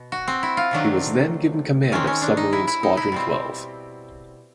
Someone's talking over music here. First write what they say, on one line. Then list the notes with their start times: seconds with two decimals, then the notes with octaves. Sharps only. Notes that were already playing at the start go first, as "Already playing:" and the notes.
He was then given command of Submarine Squadron Twelve.
Already playing: B2
0.12 F#4
0.28 C4
0.43 E4
0.57 F4
0.71 C3 D#3 F#3 A3 D4
1.92 D#3 G#3 C4 C#4
2.07 C#4
2.22 D4
2.37 D#4
2.53 E4
2.67 E4
2.83 D#4
2.97 E4
3.12 B2 G3 C4